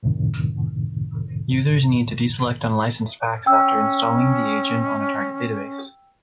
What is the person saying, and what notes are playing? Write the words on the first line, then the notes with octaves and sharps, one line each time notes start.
Users need to de-select unlicensed packs after installing the agent on a target database.
C#2 F#2 A2 C3 D#3
C#4 G5 E6